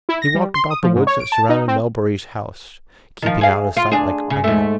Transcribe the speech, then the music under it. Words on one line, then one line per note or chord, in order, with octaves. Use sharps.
He walked about the woods that surrounded Melbury's house, keeping out of sight like a criminal.
E4
A#6
G3
C6
D#6
F3
G#2
C#5
D7
A5
D#4
C4
D#3 F3
G#4 F5
F4
D4 G#4
C#3
G#2 A3